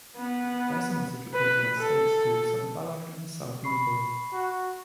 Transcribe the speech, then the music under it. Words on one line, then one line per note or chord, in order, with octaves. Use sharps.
Dyson was educated at state schools at Ballarat and South Melbourne.
B3
B4
A4
B5 C#6 C7
F#4